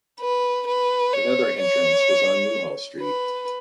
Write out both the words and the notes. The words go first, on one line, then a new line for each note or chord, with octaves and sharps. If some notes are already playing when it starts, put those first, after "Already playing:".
Another entrance was on Newhall Street.
B4
B4
C#5
C#5
B4